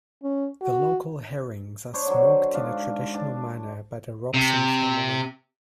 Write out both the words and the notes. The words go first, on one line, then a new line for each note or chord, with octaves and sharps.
The local herrings are smoked in a traditional manner by the Robson family.
C#4
F#4
D4 C5 C#5
D3 F#3
G#2 D4 F5
D4 A5
C3